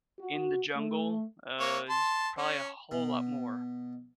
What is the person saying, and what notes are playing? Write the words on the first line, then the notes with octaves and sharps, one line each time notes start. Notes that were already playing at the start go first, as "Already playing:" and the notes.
in the jungle, uh, it's probably a whole lot more.
F#4
A3
A#3 C#5
A5 C6
C#4
B2